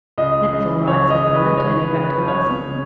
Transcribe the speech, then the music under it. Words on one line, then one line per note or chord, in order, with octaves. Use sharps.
"That's all right," said Bryan, turning back to Allison.
C#2 D#5
C#3
C#2 C#5
D#5
C#3
B4
C#2 C#5
B4
C#3
B4
C#2 C#5
C#3